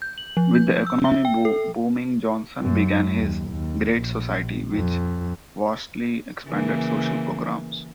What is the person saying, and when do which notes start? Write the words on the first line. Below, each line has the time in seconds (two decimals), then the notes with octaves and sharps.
With the economy booming Johnson began his "Great Society" which vastly expanded social programs.
0.02 G6
0.18 F#7
0.37 F3
0.55 G6
0.87 E6
1.05 E5
1.25 G5
1.45 A4
2.62 F#2
3.17 D#2
3.49 D#2
3.96 A#1
4.72 F2
6.45 C#3 E3 A#3